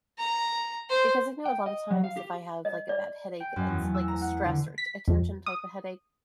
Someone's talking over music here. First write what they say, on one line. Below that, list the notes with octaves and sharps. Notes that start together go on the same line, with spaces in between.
Because I know a lotta times if I have, like, a bad headache, and it's, like, a stress or a t a tension type of headache,
A#5
C5
G5
D#5
F#3
F5
G4
D#5
D5
G5
F#2
E2
A3
E6
A#5
F#5
D3
B6
F2
D#6